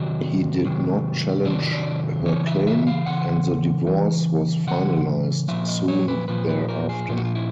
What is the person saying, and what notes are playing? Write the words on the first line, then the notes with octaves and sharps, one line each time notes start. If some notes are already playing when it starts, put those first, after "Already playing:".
He did not challenge her claim, and the divorce was finalized soon thereafter.
Already playing: C3 D#3 F#3 D#5
C3 D#3 F#3
C3 D#3 F#3 D5
D5
C#3 E3 C#5
E5
E5
F5
C#3 E3 F#5
C#3 E3
C#3 E3 F#5
A#2 F3 E5
D#5
C#5
B4
A#2 F3 B4
B4
A#4
G#4
A#2 F3 F4 F#4
F4
E4